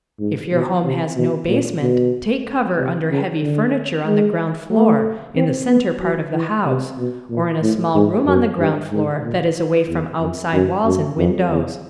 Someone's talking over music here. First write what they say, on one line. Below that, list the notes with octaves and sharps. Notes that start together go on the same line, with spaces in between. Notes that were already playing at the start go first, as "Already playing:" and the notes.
If your home has no basement, take cover under heavy furniture on the ground floor in the center part of the house, or in a small room on the ground floor that is away from outside walls and windows.
G#2
B2
C3
B2
A#2
B2
C3
C#3
D3
G#3
A3
C4
B3
F#3
E3
C3
B2
A#2
A2
G#2
F#2
G2
G#2
A#2
E2
F2
F#2
F#2
F2
E2